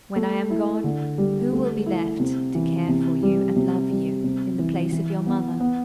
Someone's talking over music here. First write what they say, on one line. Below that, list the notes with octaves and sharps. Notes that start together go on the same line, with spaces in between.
When I am gone, who will be left to care for you and love you, in the place of your mother?
A3
E4
D3
G3
A3
E4
C3
E3
C3
G3
C3
G3
C3
E3
E3
B3
B3